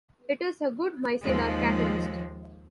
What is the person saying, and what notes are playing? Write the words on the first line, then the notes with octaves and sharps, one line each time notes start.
It is a good micellar catalyst.
D#2 F3 G#3